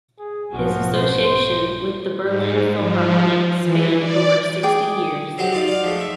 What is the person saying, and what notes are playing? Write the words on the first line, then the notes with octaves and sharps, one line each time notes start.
His association with the Berlin Philharmonic spanned over sixty years.
G#4
B1 G#2 F3 F#4
B1 C5
G#2
F3
E3
D5
G#4 G5 D6
C3 F#3 G#3 F#4 G4
D#4 F4 D5
D5 F5
F3 G#3 A3
E5